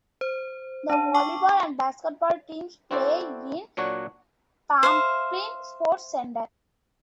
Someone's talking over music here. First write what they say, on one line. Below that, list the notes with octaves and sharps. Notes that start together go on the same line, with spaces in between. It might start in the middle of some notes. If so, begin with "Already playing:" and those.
The volleyball and basketball teams play in Pamplin Sports Center.
C5
D4 F5 A5 D#7
G5 C#6 D6
C4 E4 F#4 A4 C5 D5
A#2 F#3 D4 F#4 C#5 F#5
C5 E5 F5